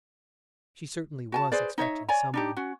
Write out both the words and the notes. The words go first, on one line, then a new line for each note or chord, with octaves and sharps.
She certainly was expecting some one.
F#4 G#5 A5
G#4 B4 C5 D5
D#4 C#5 D#5 E5
C#5 D5 G#5 A#5
D4 D#4 G4
C#4 F#4